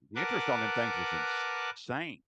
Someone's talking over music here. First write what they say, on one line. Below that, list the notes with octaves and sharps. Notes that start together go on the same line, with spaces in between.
The interest on them things is ins sane.
A#4 B4 F#5 A5 D6